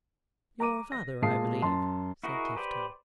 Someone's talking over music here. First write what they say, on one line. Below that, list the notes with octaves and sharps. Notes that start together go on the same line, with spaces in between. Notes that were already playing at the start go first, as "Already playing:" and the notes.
"Your father, I believe?" said Tifto.
A#5 D6 D#7
A#6
A#2 G#3 F5 A5 D#6 C7
F#2 A5 C6
E4 F#4 G#4 A#4 D#5
G4 B4 C5 D5